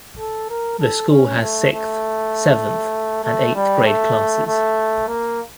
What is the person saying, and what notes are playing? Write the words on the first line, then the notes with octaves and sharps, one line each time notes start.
The school has sixth, seventh, and eighth grade classes.
A4
A#4
A4
C#4
A3
A3
A3
G3
A3
A3
A#3